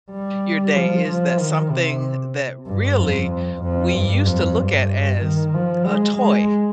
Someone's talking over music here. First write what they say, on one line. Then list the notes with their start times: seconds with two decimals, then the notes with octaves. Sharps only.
your day, is that something that really we used to look at as a toy,
0.11 G3
0.75 F3
1.07 F3
1.39 D#3
1.71 C3
2.67 G2
2.99 F2
3.63 F2
3.94 G2
4.26 F2
4.58 G2
5.22 D#3
5.54 F3
5.86 G#3
6.18 G#3